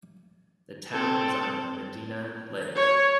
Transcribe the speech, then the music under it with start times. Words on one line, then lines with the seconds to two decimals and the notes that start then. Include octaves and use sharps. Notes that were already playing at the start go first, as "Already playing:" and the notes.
The town is on Medina Lake.
0.93 C4 A4
2.75 C#5